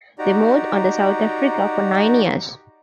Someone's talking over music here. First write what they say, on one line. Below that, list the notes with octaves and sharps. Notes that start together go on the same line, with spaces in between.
They moved on to South Africa for nine years.
D#4 F#4 G4 D5 A#5